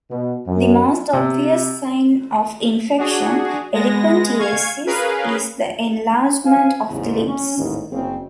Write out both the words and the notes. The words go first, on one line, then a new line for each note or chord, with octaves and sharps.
The most obvious sign of infection, elephantiasis, is the enlargement of the limbs.
B2
F#2
C3
D4 F#4 G#4
G#3 B3 A#6
F5 G#5 C#6 G#6
C#4 G#4 A#4 B4 F5
C5 F5 G#5
A1 E2 G#2 C#3
C#4
A1 D#2 G#2 D#3 E3
F#1 C#3 C4